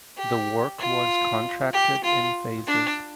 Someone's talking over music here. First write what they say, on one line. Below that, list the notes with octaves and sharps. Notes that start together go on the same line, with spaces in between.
The work was contracted in phases.
G4
F4
G4
F4
D4